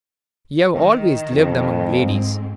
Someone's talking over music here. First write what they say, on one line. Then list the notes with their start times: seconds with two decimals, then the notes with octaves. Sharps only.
You have always lived among ladies.
0.74 D#3
1.33 F2
1.94 G#2 C4